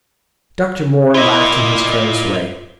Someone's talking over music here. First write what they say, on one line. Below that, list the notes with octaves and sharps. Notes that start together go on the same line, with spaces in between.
Dr. Moore laughed in his careless way.
E4 F4 D5 D#5